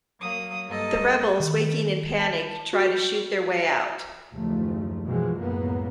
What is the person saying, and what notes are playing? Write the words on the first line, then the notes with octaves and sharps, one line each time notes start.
The rebels, waking in panic, try to shoot their way out.
F#3 A#3 D#6
G2 A#3 A4 D#5
D#3
A5
F#4
E5
F#1 D#2 F3 A3
B2 E3 F3 G#3
C#2 F#2 A2 A#3 B3